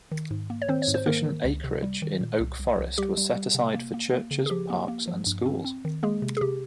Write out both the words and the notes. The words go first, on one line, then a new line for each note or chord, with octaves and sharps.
Sufficient acreage in Oak Forest was set aside for churches, parks and schools.
D#3
G#2
A#3
C#5
D#3 C4 C5
C#5
G#2
C5
D#3 A#3 A#4
D#3
C#2
C3
G3
D#3
A#2
C2
C2
C2
G3 G4
G3
G3
C3
A#3
A#3
A#3
C#3
G#4
F3 G4
A#3
A#3
F3
G2
C4
C4
D#3
G#3 A#3 G#4
C3
G#4
C3 G4